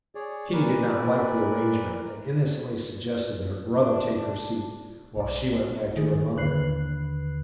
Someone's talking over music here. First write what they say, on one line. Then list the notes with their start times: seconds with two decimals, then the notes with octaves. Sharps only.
Kitty did not like the arrangement, and innocently suggested that her brother take her seat while she went back to her mother.
0.15 G#4 C#5 D5
0.53 A#2 A#4 B4 D5
3.74 D4
5.16 B1 D5
5.97 D#3 G#4
6.35 D#2 D3 B4 F#6 C7